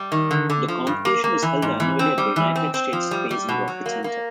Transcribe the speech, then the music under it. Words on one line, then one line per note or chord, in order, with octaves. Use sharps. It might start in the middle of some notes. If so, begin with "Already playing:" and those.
The competition is held annually at the United States Space and Rocket Center.
Already playing: G3
D#3
D3
D3
F3
G2
A#3
A#3
E3
G#2
E3
C4
G3
E3
C4
C4
F3
G3
G3
B2
F#3
A#3
A#3